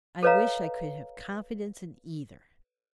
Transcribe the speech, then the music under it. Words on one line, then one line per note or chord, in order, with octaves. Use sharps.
I wish I could have confidence in either.'
A4 B4 C#5 D#5 F5 A#5